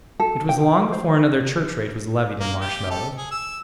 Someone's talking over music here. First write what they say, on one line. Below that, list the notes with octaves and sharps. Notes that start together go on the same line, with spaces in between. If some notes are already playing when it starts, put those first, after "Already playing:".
It was long before another church-rate was levied in Marshmallows.
A4
G5
C5
A#3
G4
A4
G#4
E6